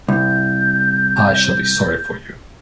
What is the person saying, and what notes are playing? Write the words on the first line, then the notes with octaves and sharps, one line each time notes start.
I shall be sorry for you.
C2 G6